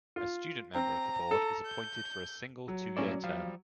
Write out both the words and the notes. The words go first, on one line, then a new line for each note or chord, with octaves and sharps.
A student member of the Board is appointed for a single two-year term.
F4
C4 A#5
A4
G6
F#3
A2 A#3 C#4 E4 D5
F3 G3 F5